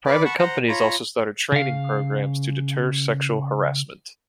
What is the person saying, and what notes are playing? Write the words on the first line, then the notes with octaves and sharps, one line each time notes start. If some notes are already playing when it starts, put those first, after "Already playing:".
Private companies also started training programs to deter sexual harassment.
B4 D5 D6
F#5 A5 B5 C#6
C5 F#5 A#5
F4 C#5 A#5 B5
C#3 F5